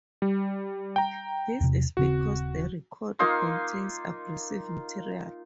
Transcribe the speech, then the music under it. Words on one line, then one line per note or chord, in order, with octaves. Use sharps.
This is because the record contains abrasive material.
G3
G5 A#5
E2 C3
D#1 C#3 C4 F#4
A#3 D#4 F4 C6